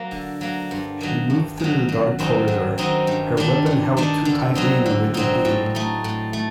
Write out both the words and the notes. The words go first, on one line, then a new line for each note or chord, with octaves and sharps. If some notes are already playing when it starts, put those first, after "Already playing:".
She moved through the dark corridor, her weapon held too tightly in a rigid hand.
Already playing: F#3 A#3
D3
F#3 A#3
G2
D#3 F#3
G2
D#3 F#3
F#2
D#3 F#3 C4 D#4
F#2
D#3 F#3 C4 D#4
G2
D#3 G3 D4
G2
D#3 G3 D4
D3
F#3 C4 D#4
D3
F#3 C4 D#4
A2
A3 D#4
A2
A3